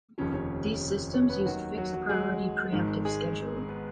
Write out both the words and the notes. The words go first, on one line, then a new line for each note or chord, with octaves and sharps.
These systems used Fixed priority pre-emptive scheduling.
F1 D#2 C#3 F3 C#4 C#5
C#4 C#5
C#4 C#5
B3 B4
D#2 D#3 F#3 F#4
F#3 F#4
F#3 F#4
G#3 G#4
G#1 G#2 D#3
G#3 G#4
B3 B4